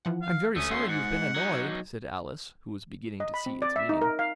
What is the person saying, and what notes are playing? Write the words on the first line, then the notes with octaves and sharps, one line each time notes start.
'I'm very sorry you've been annoyed,' said Alice, who was beginning to see its meaning.
E3 F3 F#5
F5
D2 A3 C#4 D#6
F#4 C6
G#2 F#5
F#3 D#4
D#5
B5
C4
D5
E5
D#4
A#4
F5